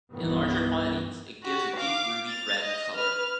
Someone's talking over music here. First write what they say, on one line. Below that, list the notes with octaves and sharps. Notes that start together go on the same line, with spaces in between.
In larger quantities, it gives a deep ruby red colour.
G1 C2 D#3 E3 B3
F#4 G4
F5 D6
A6 F7
D#5
B4 F6